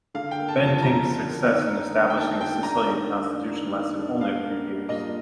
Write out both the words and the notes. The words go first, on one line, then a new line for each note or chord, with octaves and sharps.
Bentinck's success in establishing a Sicilian constitution lasted only a few years.
D3 F5
G5
A#3
A5
F3
A5
D3 A#5
D3
A#3
D#3
D4
A#3
G5
D#3 A5
D#3 G5
D4 A#5
D#3
D4
A#3
D#3
D#3
D4
D4 F5
A#3
G3
A#2 D#5